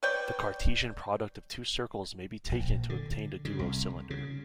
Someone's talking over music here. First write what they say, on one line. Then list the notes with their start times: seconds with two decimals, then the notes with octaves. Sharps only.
The Cartesian product of two circles may be taken to obtain a duocylinder.
0.03 B4 C#5 D5 G5
2.52 A#1
2.89 D3
3.45 C#3
3.59 C2
4.10 C#3